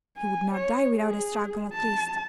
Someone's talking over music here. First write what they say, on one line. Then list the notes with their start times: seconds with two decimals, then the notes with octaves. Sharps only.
He would not die without a struggle at least.
0.17 G#5
0.54 C#5
0.96 G#4
1.73 A5